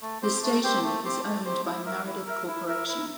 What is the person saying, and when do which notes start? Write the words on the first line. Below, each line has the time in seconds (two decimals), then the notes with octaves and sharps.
The station is owned by Meredith Corporation.
0.02 A3
0.23 C4 G4 C5
0.43 A3
0.63 C4 G4 C5
0.84 A3
1.04 C4 G4 C5
1.25 A3
1.45 C4 G4 C5
1.65 E4
1.86 A#4 E5
2.06 E4
2.27 A#4 E5
2.48 E4
2.68 A#4 E5
2.88 E4